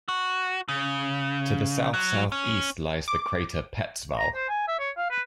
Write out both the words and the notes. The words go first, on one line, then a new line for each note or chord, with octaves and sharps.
To the south-southeast lies the crater Petzval.
F#4
C#3
F#3
C#4
D6
A#5
C5
G#5
E5
C#5
F5
B4